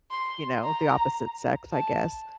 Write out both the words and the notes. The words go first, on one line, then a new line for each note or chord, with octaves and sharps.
you know, the opposite sex, I guess.
C6
A#5
A5